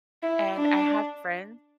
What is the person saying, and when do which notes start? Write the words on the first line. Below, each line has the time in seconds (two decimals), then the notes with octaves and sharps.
and I have friends
0.23 E4
0.56 D4